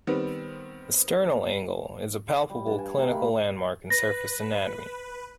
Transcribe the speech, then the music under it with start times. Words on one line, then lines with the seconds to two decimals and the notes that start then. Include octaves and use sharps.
The sternal angle is a palpable clinical landmark in surface anatomy.
0.07 D#3 G3 B3 C4
2.50 G3
2.66 G2 A5
2.78 G#5
2.97 A3 G4 A#4 B4
3.10 D#3 F5 B5
3.90 B4 A#6